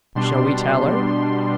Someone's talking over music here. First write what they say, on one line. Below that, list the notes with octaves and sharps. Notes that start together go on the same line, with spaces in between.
"Shall we tell her?"
B2 G3 D4 C6
C6